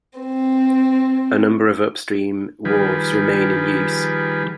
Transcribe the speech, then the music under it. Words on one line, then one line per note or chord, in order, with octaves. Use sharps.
A number of upstream wharves remain in use.
C4
D#3 F3 G3 G#4 B4